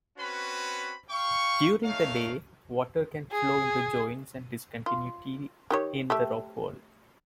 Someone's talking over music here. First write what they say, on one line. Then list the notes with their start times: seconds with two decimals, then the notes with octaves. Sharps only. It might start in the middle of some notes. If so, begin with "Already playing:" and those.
During the day, water can flow into joints and discontinuities in the rock wall.
0.18 C4 C#4 F#4 B4 B5
1.09 F5 G5 C#6
1.83 A3 D#4 C#5 F5
3.32 G#4
4.86 F4
5.70 D#3 G4 C#5
6.10 A3 G4 E5